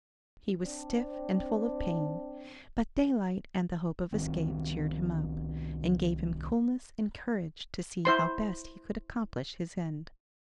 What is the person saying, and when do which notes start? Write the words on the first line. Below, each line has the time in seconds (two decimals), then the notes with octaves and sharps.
He was stiff, and full of pain, but daylight and the hope of escape cheered him up, and gave him coolness and courage to see how best he could accomplish his end.
0.64 C4 D4
4.13 C2 D#3 C4
8.05 E4 C5 C6